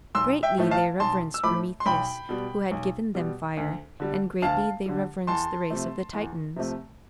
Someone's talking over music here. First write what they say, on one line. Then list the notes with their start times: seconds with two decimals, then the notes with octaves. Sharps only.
Greatly they reverenced Prometheus, who had given them fire, and greatly they reverenced the race of the Titans.
0.15 B1 C6 E6
0.43 E5 G5
0.58 A2 F3 A3
0.71 F5 A5
1.00 B1 A5 C6
1.34 E6
1.44 A2 F3 A3 B5 D6
1.80 C6
1.86 B1 G5 B5
2.29 B2 G3
2.71 B1
3.15 B2 G3
3.57 D2
4.00 D3 G3
4.42 D2 F5 A5
4.86 D3 G3
5.27 E2 A5 C6
5.70 C3 F3 A3
6.13 E2
6.56 C3 F3 A3